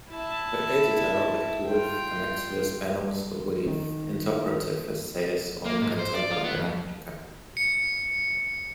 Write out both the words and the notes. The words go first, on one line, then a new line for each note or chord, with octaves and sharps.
The editor, Robert Wolf, connects these panels with interpretive essays on contemporary America.
E4 A5
F4 G5
D#3
A#3
G#2
C5
D5
F4
B3
F2
C#7